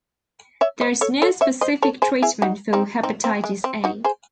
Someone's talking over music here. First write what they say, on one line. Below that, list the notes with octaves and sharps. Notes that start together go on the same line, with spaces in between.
There is no specific treatment for hepatitis A.
C#5 E5
C5 D#5
A4 C#5
A4 C#5
C#5 E5
C5 D#5
A4 C#5
G#4 C5
E4 G#4
D#4 F#4
C4 D#4
C4 D#4
C4
G#3
C4
D#4 F#4
G#4 C5